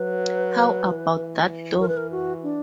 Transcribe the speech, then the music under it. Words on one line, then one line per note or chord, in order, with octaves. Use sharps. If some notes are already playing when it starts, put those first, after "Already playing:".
How about that door?
Already playing: F#3 B4
E3
A#4
B4
A#4
F#4
D4